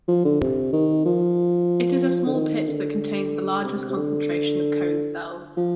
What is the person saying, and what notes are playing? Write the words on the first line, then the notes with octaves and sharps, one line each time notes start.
It is a small pit that contains the largest concentration of cone cells.
F3
D3
C3
D#3
F3
D3
D#3
D3
C3
C3
D3
F3